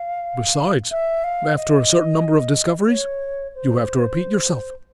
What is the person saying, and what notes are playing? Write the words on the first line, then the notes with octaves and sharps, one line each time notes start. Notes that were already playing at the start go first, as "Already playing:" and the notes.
Besides, after a certain number of discoveries, you have to repeat yourself.
Already playing: F5
E5
F5
D#5
C#5
C5